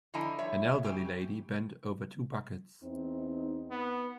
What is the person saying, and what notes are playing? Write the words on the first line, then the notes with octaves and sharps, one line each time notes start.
An elderly lady bent over two buckets.
D3 F3 E4 D#5 G#5 A#5
G3 C#5 E5
F#2 C#3 G4 G#5
E2 C4 D#4
B3